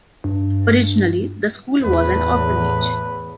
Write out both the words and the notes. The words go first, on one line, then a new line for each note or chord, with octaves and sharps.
Originally, the school was an orphanage.
G2
E2 A2 B4